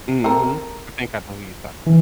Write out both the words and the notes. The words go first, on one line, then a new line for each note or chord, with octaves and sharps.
Mhm. I think I know who you're talking about.
C4 A4 A#4
E3